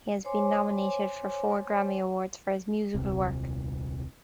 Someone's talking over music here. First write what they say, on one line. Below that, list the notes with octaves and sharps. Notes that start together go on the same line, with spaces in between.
He has been nominated for four Grammy Awards for his musical work.
C5 C#5 G#5 C6 D6
D#1 C2 C3